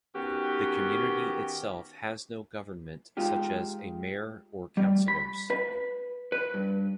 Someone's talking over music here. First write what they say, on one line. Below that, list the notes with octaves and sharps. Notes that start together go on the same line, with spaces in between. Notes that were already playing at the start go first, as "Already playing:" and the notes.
The community itself has no government such as a mayor or councillors.
D#3 B3 C#4 F#4 G4
G#3 D#4 F4 G4
G3
B5
B4
B4
G2